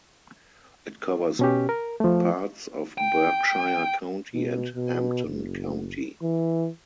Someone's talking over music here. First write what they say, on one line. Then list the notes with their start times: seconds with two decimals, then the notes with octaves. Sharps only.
It covers parts of Berkshire County and Hampden County.
1.39 B2 C#4 G4
1.69 A#4
2.00 F3 A3
2.98 G5
4.34 B2
4.76 B2
5.25 F#1
6.22 E3